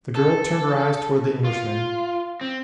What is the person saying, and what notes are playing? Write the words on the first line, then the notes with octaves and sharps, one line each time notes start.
The girl turned her eyes toward the Englishman.
A4
F4
C4